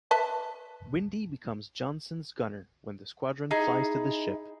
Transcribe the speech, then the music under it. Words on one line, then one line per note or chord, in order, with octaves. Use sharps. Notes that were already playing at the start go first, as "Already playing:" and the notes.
Windy becomes Johnson's gunner when the squadron flies to the ship.
B4 E5 A5
D#4 E4 G#4